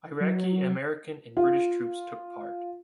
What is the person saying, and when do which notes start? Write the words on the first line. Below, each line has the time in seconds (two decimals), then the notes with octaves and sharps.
Iraqi, American and British troops took part.
0.21 F#3
1.37 F4